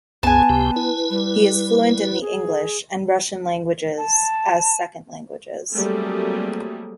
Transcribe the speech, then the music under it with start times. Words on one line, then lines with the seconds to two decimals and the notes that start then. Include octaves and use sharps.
He is fluent in the English and Russian languages as second languages.
0.23 C2 F#2 B3 G#4 G#5 A5
0.49 C#2 C3 G4
0.76 E4 B4
1.10 G3
2.21 G#4
3.98 A5
5.71 F#3 G3 A3 A#3 C4 G#4